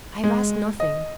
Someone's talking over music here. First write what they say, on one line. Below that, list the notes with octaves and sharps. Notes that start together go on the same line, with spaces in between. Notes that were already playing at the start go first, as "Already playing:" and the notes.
I have asked nothing.
G#3
D#5